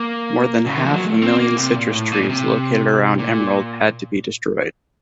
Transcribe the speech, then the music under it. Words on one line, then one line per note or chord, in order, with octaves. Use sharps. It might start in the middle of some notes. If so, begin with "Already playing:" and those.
More than half a million citrus trees located around Emerald had to be destroyed.
Already playing: A#3
C#3
D#3
F3
F#3
A3
C4
A#3
C3
A#2
A2
A#2
A#2
C3
A#2